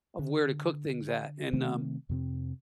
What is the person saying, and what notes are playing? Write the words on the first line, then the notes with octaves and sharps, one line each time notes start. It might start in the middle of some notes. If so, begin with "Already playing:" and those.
of where to cook things at, and, um,
D3
C3 D#3 A3 C4
F2 C3 C4